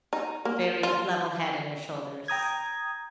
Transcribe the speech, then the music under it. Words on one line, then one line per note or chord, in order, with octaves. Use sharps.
very level head on your shoulders.
D#4
A#3
F4
G5 A#5 D#6 G#6